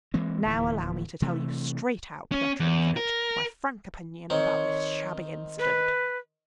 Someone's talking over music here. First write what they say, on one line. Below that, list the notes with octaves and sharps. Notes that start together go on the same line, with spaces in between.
Now allow me to tell you straight out, Pyotr Ivanitch, my frank opinion about this shabby incident.
E3 G#3 A#3 C4
D1 D#2 E3
C3 E3 A3
C#4
E2
A#4
D#3 C4 C5 C#5
B4